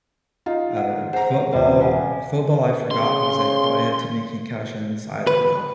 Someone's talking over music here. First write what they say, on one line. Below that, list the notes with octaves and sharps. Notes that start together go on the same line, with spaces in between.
uh, football. Football, I forgot because I probably had too many concussions, I don't know,
D#4 F4
F#5
G#4 C5 F#5 A#5
D#1 C#4 B4 D5
F5 F#5 G#5
C#3 C6
B4